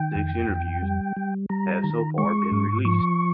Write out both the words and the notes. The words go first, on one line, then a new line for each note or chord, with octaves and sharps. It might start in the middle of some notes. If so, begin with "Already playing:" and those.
Six interviews have so far been released.
Already playing: D#3 G5
F2
F2
G3
G3
G3 A#5
D#3
G#3 C#6
G#2
F3 C#6